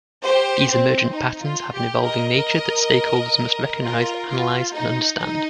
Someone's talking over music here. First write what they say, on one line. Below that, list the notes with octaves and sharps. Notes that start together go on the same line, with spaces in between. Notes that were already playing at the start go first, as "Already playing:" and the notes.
These emergent patterns have an evolving nature that stakeholders must recognize, analyze and understand.
G4 C5
C4
D#4
F4
G4
A#4 D#5
F4 A#4
F4
D#4
D#4